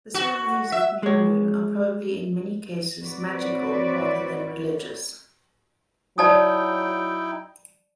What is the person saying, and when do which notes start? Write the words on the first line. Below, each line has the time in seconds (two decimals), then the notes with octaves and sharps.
The ceremonies of new moon are probably in many cases magical rather than religious.
0.14 F#4
0.72 E5
1.03 G#3 C#5
3.04 C4 F#4 B4 C#5 D5
6.18 F#3 D#4 E4 D5 G5 A5 D#6